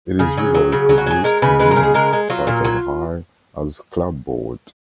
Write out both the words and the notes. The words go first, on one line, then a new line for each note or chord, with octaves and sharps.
It is usually produced in units twice as high as clapboard.
C#3 G#4
F#3
F#3
C#3
F#3
F#4
F#3 G#4
G#3 A#4
C#3 B4
G#3 B4
A#4
C#3
G#4
G#3 A#4
G#3
F#3 F4
A#2
F#3